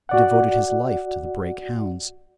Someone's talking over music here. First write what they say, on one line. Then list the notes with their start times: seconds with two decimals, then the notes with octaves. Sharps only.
He devoted his life to the Brake Hounds.
0.09 F#4 D5 F#5